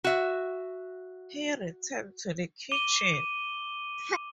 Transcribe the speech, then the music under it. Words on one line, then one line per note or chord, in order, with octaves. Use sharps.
He returned to the kitchen.
F#4 E5
D6 D#7 G7